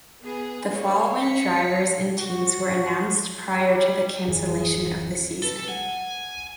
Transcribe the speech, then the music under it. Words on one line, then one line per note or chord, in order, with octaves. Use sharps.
The following drivers and teams were announced prior to the cancellation of the season.
B3 G#4
A#3 C#5
F5 B6 C#7
F#4
G3 C#5
D1 F#2 E3 G#4
A4 B4
F#5 G#5